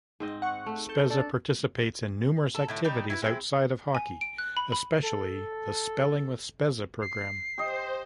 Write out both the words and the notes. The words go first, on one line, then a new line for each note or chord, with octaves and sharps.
Spezza participates in numerous activities outside of hockey, especially the "Spelling with Spezza" program.
G#2 C4 D#5
F#5 C#6
A3
A4 G6
D4 A4
A4
A2 D3 A3
G3 D4 D#4 G4
E4 F#4 B4
G#3 C4 E4
G#5
D7
F#6
B5
B5
A4
C7
G4 C5 D#5